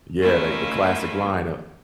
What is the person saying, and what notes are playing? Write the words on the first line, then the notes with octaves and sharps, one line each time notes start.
Yeah, they the classic line of
D#3 A3 A#3 C#4 E4 F4